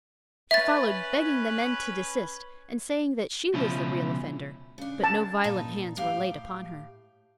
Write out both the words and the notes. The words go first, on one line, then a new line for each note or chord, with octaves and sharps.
She followed, begging the men to desist, and saying that she was the real offender, but no violent hands were laid upon her.
C#4 B4 E5 A6
C#2 B2 F3 C#4 E4
C#3 D4
A5
A#2 D#4 B4
A2 G4 F5